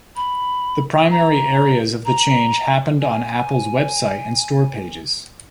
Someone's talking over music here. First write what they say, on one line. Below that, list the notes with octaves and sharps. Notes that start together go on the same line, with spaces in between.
The primary areas of the change happened on Apple's website and store pages.
B5
A#5
A#5
G#5